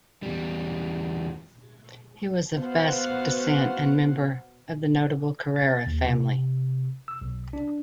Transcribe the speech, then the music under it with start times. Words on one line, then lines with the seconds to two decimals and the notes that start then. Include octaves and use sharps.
He was of Basque descent and member of the notable Carrera family.
0.23 E2 G3
2.56 B3 F#4 C5 F5 F#5
5.56 A6
5.86 D#2
6.01 C3
7.08 E6
7.21 B1
7.53 D4